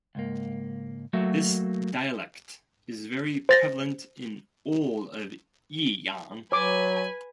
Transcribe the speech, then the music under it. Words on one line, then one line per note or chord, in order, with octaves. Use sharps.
This dialect is very prevalent in all of Yiyang.
C#2 G#2 A#3
F#3 A3 A#3 F#4 E5
C5 A6 A#6
F#3 B4 C#5 G#5 D6